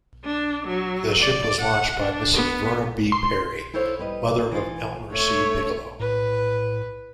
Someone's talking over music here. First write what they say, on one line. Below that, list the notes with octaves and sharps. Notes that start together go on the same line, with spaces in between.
The ship was launched by Mrs. Verna B. Perry, mother of Elmer C. Bigelow.
D4
F#3
D5
F#5
D4
B3
C6
E4 A4 C5 C#5 F5
G3 B4 D#5
E3 F4
A3 C#5
A2 B4